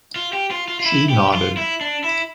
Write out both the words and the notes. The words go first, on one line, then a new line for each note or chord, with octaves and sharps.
She nodded.
F4
G4
F4
F4
F4
E4
G4
F4
E4
D4
E4